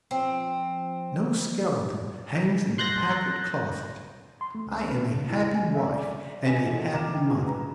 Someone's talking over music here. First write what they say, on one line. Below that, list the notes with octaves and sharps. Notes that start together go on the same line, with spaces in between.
No skeleton hangs in the Packard closet. I am a happy wife and a happy mother.
F3 C4
C6 F#6 G6 A6 A#6
C6
A3
C#2
B4
C#3
E4
G#5
E5
D5
F#4 G#4 B4 D#5 G#5
D3 E3 F3 B3
F5 A#5 D6 F6 E7
G5
E3 A#3 F#4 G#4
B4 A#5